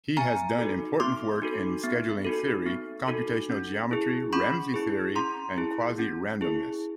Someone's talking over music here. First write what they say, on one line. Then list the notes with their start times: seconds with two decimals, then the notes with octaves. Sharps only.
He has done important work in scheduling theory, computational geometry, Ramsey theory, and quasi-randomness.
0.17 B3 G#5 A#5
0.58 D#4 F#4 A4
1.00 B3 C6 D6
1.42 D#4 F#4 A4
1.83 B3
2.25 D#4 F#4 A4
2.66 B3
3.08 D#4 F#4 A4
3.50 C#4
3.91 E4 G#4
4.33 C#4 B5 C#6
4.74 E4 G#4
5.16 C#4 A#5 C6
5.58 E4 G#4
5.99 C#4
6.41 E4 G#4